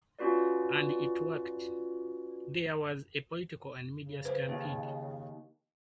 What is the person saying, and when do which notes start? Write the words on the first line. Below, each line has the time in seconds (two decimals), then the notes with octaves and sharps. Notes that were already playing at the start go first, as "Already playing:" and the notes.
And it worked. There was a political and media stampede.
0.19 C#4 F4 F#4 B4 D5
3.98 C#3
4.25 B4 C5
4.49 D#2